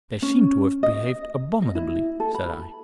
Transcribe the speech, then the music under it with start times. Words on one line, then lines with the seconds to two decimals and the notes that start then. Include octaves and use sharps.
"They seem to have behaved abominably," said I.
0.22 C#4
0.83 D#5
1.62 D#5
1.75 E4
2.20 A4
2.34 B5